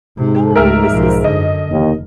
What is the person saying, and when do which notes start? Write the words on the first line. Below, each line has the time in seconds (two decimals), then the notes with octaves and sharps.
"Oh, this is"
0.18 G#2 C3
0.56 C#2 A3 A#4 E5 F6
0.91 B1 F3
1.24 F#2 D3 D#5
1.70 F1 D#2